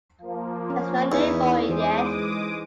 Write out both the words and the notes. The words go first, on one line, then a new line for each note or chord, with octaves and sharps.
There's no name for it yet.
F3 A#3
C#4
E2 E3 D#4 E4
E3 G#3 G#4 C5 D6 D#6